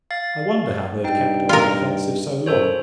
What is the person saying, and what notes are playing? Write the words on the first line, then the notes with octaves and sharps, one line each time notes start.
I wonder how they have kept on the defensive so long.
F5 A6
G2 D#4 G5
F4 A#4
F#2 A4 C5 C#5